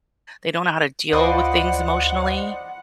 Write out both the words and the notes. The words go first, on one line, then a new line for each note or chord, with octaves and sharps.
they don't know how to deal with things emotionally,
D2 F4 B4 C5 D5 D#5 F#5 B5